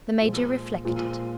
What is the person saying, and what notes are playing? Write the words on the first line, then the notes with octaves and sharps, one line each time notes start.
The Major reflected.
A#2 F3 G#3
A#2 F3 G#3